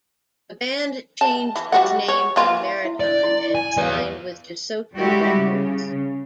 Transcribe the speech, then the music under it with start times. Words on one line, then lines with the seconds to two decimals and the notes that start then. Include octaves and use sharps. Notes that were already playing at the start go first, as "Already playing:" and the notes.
The band changed its name to Maritime and signed with DeSoto Records.
1.21 A5
1.56 E3
1.72 G3 F#4 F#5
2.08 C#5
2.36 E3 A#3 F4
2.84 E4 E5
3.00 D5
3.23 C#4 E4 C6
3.55 G#5
3.77 E2 B4 D5 F5
4.98 G3 G#3 E4 F#4 G4
5.37 C#3